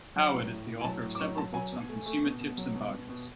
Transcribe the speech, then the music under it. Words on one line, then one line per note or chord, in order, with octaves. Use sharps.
Howard is the author of several books on consumer tips and bargains.
F#3
A2
A2
A2
G#5
F#3 A5
A2
D6
F#3 C#6
F#3 A5
F#3 G#5
B2
A3
A3
B2
B2
F#3
B2
B2
B2